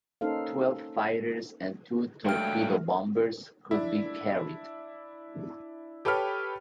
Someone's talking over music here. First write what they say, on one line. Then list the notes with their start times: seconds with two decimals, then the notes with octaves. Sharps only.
Twelve fighters and two torpedo bombers could be carried.
0.21 A#3 C#4 D#4 A4 C5 F5
2.25 G2 F#3 G#3 A3 G5 F6
3.71 D4 E4
6.05 G4 A4 B4 C#5 G5 F6